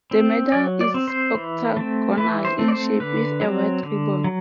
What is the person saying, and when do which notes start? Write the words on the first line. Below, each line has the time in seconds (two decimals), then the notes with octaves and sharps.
The medal is octagonal in shape with a white ribbon.
0.11 C4
0.52 F#3 D5
0.81 D5
0.94 C4
1.08 C5
1.35 E3
1.77 A3 C4
2.17 E3 B4
2.45 C5
2.59 A3 C4
2.68 D5
2.72 C5
3.00 D3 B4
3.41 F#3 C4
3.83 D3
4.24 F#3